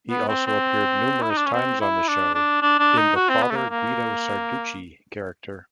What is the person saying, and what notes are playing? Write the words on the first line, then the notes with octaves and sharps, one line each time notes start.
He also appeared numerous times on the show in the Father Guido Sarducci character.
B3
C4
C4
E4
D#4
D4
C#4
C4
E4
D4
D4
D4
D4
D#4
F#4
C4
B3
A3
A#3
A#3